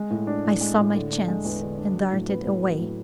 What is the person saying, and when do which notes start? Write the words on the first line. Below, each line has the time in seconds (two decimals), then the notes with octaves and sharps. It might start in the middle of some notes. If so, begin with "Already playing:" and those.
I saw my chance, and darted away.
Already playing: G#3
0.11 A2
0.27 D4
0.44 A2
0.61 G#3
0.78 A2
0.95 D3
1.11 D4
1.28 G#3
1.45 E2
1.61 D3
1.78 D4
1.95 F#3
2.12 A2
2.29 B3
2.46 A2
2.62 F#3
2.79 A2